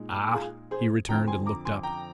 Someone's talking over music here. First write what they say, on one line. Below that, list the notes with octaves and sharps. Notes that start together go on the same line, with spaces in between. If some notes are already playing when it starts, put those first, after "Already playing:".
"Ah!" he returned, and looked up.
Already playing: A#2 G#3 D#4
F4 G#4
G#4 C5
F2 D3 F3 G5 A#5
G#5 C6
A#5 D6
G#5 C6
G5 A#5